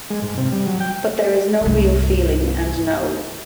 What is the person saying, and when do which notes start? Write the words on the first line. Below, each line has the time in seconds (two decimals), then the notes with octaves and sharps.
But there is no real feeling and no.
0.10 G#3
0.22 G#2
0.38 C3
0.52 G3
0.67 F#3
0.80 G5
1.61 C2 G2